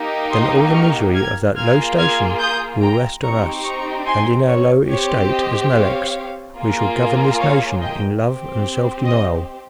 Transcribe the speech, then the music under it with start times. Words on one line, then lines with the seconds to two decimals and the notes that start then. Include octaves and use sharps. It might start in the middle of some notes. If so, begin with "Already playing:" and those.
Then all the misery of that low station will rest on us; and in our low estate as Meleks we shall govern this nation in love and self-denial.
Already playing: A#3 D#4 G4
0.31 C6 D#6
0.73 C#6 F6
1.14 F6 G#6
1.56 A#3 F4 G#4 F6 G#6
1.98 F6 G#6
2.40 D#6 G6
2.81 G5 A#5
3.23 C4 D#4 G4 A#5 C#6
3.64 A#5 C#6
4.06 G#5 C6
4.47 C#5
4.89 C4 G4 C#5
5.31 D#5
5.73 C#5 F5
6.56 A#3 F4 G#4
7.39 C#5 F5
7.81 D#5 G5
8.23 C4 G4
9.05 D#5